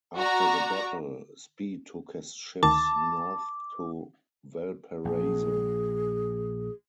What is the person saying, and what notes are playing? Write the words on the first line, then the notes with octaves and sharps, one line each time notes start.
After the battle, Spee took his ships north to Valparaiso.
F#4 D5 A#5
D2 D#3 A5 D6
A#1 G#4